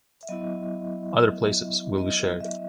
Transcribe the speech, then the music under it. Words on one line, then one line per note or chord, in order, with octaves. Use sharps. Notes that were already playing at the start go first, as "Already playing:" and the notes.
Other places will be shared.
E5
F#3 B3 E4 D#5
D#5
E5